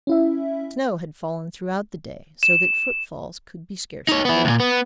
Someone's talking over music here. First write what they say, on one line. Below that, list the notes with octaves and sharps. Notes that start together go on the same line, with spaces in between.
Snow had fallen throughout the day, so that footfalls could be scarcely heard.
C#4 E4 E5
E7
D#4 C#5
B3 E4
D2 A#2
B3